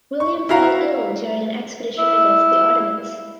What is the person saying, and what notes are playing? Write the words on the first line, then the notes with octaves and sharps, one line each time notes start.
William fell ill during an expedition against the Ottomans.
C#6
E4 F#4 F5 A#5
E4